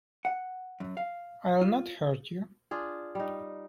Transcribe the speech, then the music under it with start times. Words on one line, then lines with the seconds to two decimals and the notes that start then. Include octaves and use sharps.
I’ll not hurt you.
0.25 F#5
0.80 F#2
0.97 F5
1.61 F4
2.71 D4 F4 G#4
3.15 G3 D#4